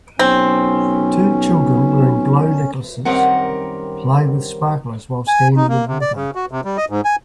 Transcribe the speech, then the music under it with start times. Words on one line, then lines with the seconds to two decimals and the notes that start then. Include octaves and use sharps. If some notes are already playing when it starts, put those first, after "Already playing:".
Two children wearing glow necklaces play with sparklers while standing in water.
0.19 B1 C4 C#4
3.05 F#2 D#3 G3 C4 A#4 F#5
5.28 G#5
5.57 D#4
5.69 A#3
5.87 C3
6.01 D5
6.16 C#3
6.35 F#4
6.51 C3
6.65 G3
6.77 D#5
6.90 G#2
7.05 G#5